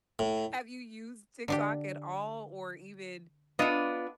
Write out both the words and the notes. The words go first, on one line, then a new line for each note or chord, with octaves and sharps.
have you used TikTok at all or even,
A2
D3 D4 G4
B3 D4 F4 A4 D#5